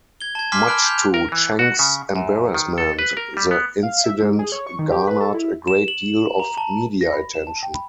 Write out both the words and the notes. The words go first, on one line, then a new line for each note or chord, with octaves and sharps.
Much to Cheng's embarrassment, the incident garnered a great deal of media attention.
G#6 G7
A5 G#6
G#5 C6 D6 F6 B6 C7
A5 B5 F6 F#6 D7
G6 F7
A#4
E3
F#4
C#3
F#2
D#3
A4
B4
A#4
G3
B3
F5
E5
G#2
G#4
C#5
C#6
D#3
G4
B4
A4
E4
E7
F#7
A#5
A5
A#6
B5
E7
A5
G5
B5